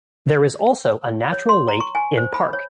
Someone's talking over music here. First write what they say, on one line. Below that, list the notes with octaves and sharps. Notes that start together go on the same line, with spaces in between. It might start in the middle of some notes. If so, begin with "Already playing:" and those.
There is also a natural lake in park.
C#5
C6
A#5
C#6
G#5
C5
B5
C#5